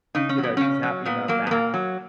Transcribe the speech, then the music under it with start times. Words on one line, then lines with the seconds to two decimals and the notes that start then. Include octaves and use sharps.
you know, she's happy about that.
0.15 C#3 D#4
0.29 C#4
0.38 F#3
0.43 B3
0.57 C#3 C#4
0.83 F#3
1.05 A#2 B3
1.28 F#3 A#3
1.47 B3
1.51 A#2 A#3
1.74 F#3